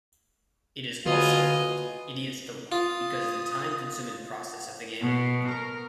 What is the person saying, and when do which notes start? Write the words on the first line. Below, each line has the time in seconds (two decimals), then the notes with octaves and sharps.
It is also called Idiot's Delight because of the time-consuming process of the game.
1.06 D3 A#3 F4 F#4 B4 D#5 G#5
2.72 F4 D#6
5.02 B2
5.49 A#4